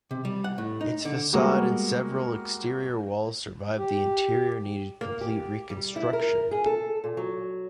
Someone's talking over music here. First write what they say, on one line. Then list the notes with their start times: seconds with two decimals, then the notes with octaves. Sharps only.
Its facade and several exterior walls survived; the interior needed complete reconstruction.
0.11 C3
0.25 G3
0.44 F#5
0.58 A2
0.81 D#4
1.05 D3
1.33 G3 G#3 A#3 B3 F#4
3.77 G4
5.01 A#3
5.21 G4
5.70 G3
5.96 E4
6.13 A#4
6.51 G#4
6.66 A4
7.04 A#2
7.17 F#3